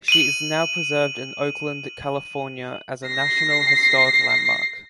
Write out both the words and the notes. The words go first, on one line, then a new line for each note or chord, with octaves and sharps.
She is now preserved in Oakland, California, as a National Historic Landmark.
D#7 F#7
A#6 C7